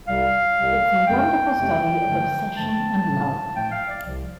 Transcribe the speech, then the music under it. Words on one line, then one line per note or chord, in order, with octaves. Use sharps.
It's a wonderful study of obsession and love.
C2 C3 G3 F5
C2 C3 G3
F2 C3 A3 G5
F2 C3 A3
G2 D3 F3 A3
G2 D3 F3 A3 A5
A2 F3 A3
A2 F3 A3 G5
F5
D5
C2 C3 F3